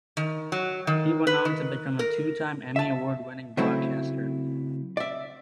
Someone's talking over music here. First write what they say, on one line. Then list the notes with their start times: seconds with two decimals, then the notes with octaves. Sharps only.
He went on to become a two-time Emmy Award winning Broadcaster.
0.17 D#3
0.52 F#3
0.87 D#3
1.27 B4
1.45 D#3
1.99 A#4
2.76 E5 A5
3.57 C#3 F#3 A3 C4 E4
4.97 D5 E5